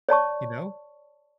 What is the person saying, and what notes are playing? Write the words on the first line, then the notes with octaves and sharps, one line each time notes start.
You know?
C#5 D5 A5 C#6